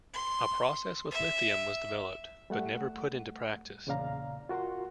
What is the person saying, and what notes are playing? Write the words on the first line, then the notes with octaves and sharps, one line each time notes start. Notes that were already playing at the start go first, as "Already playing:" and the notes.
A process with lithium was developed, but never put into practice.
C6
E5
G3 A3 F#5
E2 A#2 C#3 D5 F5 A#5
F4 F#4 A#4 F#5 C6